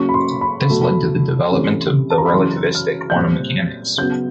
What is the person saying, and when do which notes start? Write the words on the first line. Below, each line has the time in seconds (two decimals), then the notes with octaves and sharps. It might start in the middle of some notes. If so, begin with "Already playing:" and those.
This led to the development of the relativistic quantum mechanics.
Already playing: C#3 F#3 A#3 C#4 C#6
0.09 B5
0.14 C6
0.41 B5
0.69 B2 F#3 A3
1.51 C3 E3 A3 C#4
2.10 A5
2.18 A#5
2.26 B5
2.33 F#2 C#3 E3 C6
2.75 F6
3.10 G6
3.16 A#2 G3 C4 F#6
3.98 C#3 F#3 B3 G6